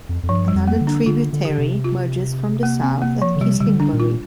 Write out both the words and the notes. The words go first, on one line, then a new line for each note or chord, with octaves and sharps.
Another tributary merges from the south at Kislingbury.
F2
F2
G2 F3
G3
F2
A#3
D3
D4
D3 F4
D3
D3 G4
C3
F4
A#3
C4
A#3
F3
D3
C3 G3
C3 G3
D3
D4
A#2
F4